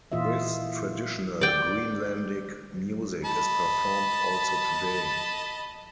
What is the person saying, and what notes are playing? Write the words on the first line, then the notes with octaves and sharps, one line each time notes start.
This traditional Greenlandic music is performed also today.
A#2 E3 F4 D#5 E5
D5 G5
D#5 A5 B5